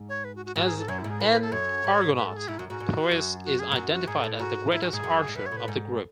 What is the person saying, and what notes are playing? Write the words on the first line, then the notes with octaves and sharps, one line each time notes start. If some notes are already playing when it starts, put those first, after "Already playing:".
As an Argonaut, Poeas is identified as the greatest archer of the group.
Already playing: G#2
C#5
B4
F#4
F#4
G#2 F#4
G#4
A4
F#2 C#5
E4
G#2
G#4
A2 B4
B4
A4
F#2 C#5
G#2
B4
A4
G#4
G#2 E4
F#2 F#4
G#2 F#4
G#2
F#2
F#4
G#4
G#2
F#2 F#4
F#4
G#2 G#4
A4
A2
G#2 F#4
G#2 E4
G#2 F#4
G#2 G#4
F#2
G#2
F#2 B4
C#5
A2
B4
G#2